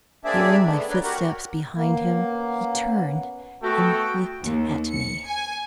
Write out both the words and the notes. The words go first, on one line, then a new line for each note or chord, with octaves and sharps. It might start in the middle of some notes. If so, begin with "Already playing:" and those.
Hearing my footsteps behind him, he turned and looked at me.
A#3 C4 D4 G#4 D5 E5
D3 A3 B3 D4
A#4 B4 C#5 D5
F#4 G4 A#4 F#5
A#3 B3 C#4 F#5
A3 B3 F#4 A4 G5
D#2
C#7
G#5